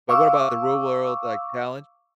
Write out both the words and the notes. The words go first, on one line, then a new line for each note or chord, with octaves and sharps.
But what about The Real World, like, Challenge?
F5 C#6 D6 E6